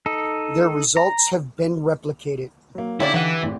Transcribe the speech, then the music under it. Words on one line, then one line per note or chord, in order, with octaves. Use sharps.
Their results have been replicated.
D#4 A4
A#5
F#3 A#3
D3 C#4 D#4 E4 G4 D5 F5
E3 G4 F#5
G#1 A2